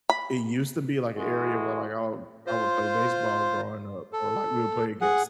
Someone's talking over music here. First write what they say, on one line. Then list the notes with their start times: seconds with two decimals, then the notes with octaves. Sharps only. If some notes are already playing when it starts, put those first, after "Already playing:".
it used to be, like, a area where, like, I I would play baseball growing up or, like, we would play against
0.10 B5
1.17 E3 G#3 A3 F#4
2.47 F4 C5
4.13 A4
5.01 G#4 F#5